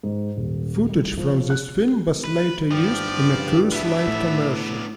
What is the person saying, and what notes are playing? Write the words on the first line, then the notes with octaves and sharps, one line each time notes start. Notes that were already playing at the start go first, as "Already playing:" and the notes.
Footage from this film was later used in a Coors Light commercial.
G#2
D#1
G3
F3
F#6
B4
G2 F3 B3 G4 D5
B3 D4 E4 E5
A2